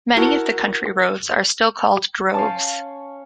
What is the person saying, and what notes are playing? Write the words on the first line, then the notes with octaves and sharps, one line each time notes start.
Many of the country roads are still called droves.
E4 F#4 A#4 A5
C#4 C#5 F5 A5